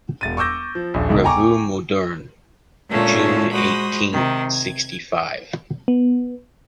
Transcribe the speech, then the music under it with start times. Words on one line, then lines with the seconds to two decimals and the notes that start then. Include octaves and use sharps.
REVUE MODERNE, June eighteen sixty-five.
0.21 E1 A6 D#7
0.37 C#6 D6 E6 G6 A#6
0.75 F3
0.94 D#1 A#1
1.09 E1 C#2 G#2
1.24 G5 G#5 A#5 C#6 D6
2.89 A#2 D3 G#3 A3 C#4 F4
3.52 G#3 F#4 C5 B5 D#6
4.12 C3 D#3
4.54 G#6
5.88 B3